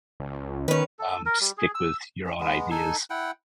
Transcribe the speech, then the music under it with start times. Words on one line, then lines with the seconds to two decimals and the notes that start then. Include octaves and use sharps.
um, stick with your own ideas.
0.20 C#2
0.68 D#3 C#4 B4
0.99 A4
1.26 A#4
1.41 G3
1.58 G#4
1.75 E6
2.26 C#4
2.40 G#3 B3
2.71 D#4 A4 G#5
3.10 E4 F#5 G5